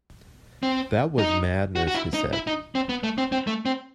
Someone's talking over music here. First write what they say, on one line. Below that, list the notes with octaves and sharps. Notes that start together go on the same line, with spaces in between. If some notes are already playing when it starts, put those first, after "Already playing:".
"That was madness," he said.
C4
D#4
F#4
F#4
E4
D#4
E4
D#4
C4
B3
A3
C4
C4
A3
C4